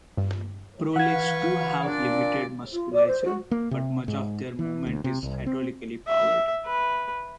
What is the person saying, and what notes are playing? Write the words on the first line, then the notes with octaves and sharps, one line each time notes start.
Prolegs do have limited musculature, but much of their movement is hydraulically powered.
G2
E3 B4 F5 F#5 C#6 G#6
A#2 D4 D5
F4
D5
C5
F#4
A#3
C3
G#2
E3
D2
C3
C2
C4
E5
B4